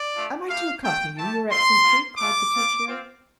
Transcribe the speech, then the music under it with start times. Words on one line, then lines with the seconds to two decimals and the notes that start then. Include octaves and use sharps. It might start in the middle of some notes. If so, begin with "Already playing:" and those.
"Am I to accompany you, your excellency?" cried Bertuccio.
Already playing: D5
0.14 A3 D4 F4
0.48 A3 E4 G4 F5
0.83 A3 D4 F4 G5
1.16 A3 E4 G4 A5
1.50 C4 F4 C6
1.84 A#3 F4
2.18 A3 D4 F4 D6
2.53 C4 F4
2.86 C4 F4